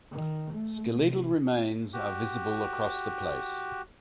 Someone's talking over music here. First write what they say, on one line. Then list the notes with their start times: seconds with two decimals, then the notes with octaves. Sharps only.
Skeletal remains are visible across the place.
0.11 D#3
0.54 A3
0.95 C3
1.93 F#4 G4